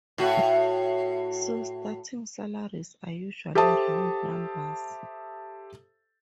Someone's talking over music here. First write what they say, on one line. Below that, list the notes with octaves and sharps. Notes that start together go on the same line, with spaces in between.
So starting salaries are usually round numbers.
A2 F#4
G4 A4 C5 E5 A5 D#6